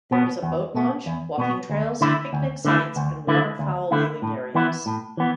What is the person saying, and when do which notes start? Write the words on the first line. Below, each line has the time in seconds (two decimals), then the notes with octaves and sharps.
There is a boat launch, walking trails, picnic sites, and waterfowl viewing areas.
0.11 B2 B3
0.42 E2
0.75 B2 B3
1.06 E2
1.38 B2 B3
1.70 D2
2.01 D3 A3 E4
2.33 D2
2.65 D3 A3 E4
2.96 D2
3.27 D3 A3 E4
3.59 D2
3.91 D3 A3 E4
4.22 A2
4.55 E3 B3 E4
4.86 A2
5.17 E3 B3